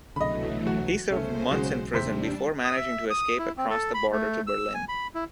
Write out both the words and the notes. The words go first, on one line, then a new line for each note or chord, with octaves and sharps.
He served months in prison before managing to escape across the border to Berlin.
C2 B2 D3 E3 F#3 A3 D#5 B5
F#4
C2 C#3 A3 C#4 C5
B1 G#3 F#4
D#2 A2 C3 G3 D4 C5 B6
D#6
E5
D#6
E4
C4
A4
B5
A3
E6
G#5
B5
E4